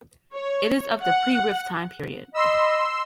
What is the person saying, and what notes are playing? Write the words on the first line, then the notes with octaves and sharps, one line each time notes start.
It is of the pre-rift time period.
C#5
F#5
D#5 B5 C6 E6